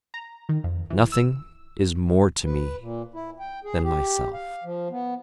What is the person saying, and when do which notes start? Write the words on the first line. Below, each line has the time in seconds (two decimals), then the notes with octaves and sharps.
Nothing is more to me than myself!
0.14 A#5
0.49 D#3
0.64 F2
0.90 E3
1.12 E6
2.45 B4
2.79 A#2
3.14 E4
3.39 G5
3.64 G#4
3.83 G4
4.33 F5
4.64 F3
4.91 B3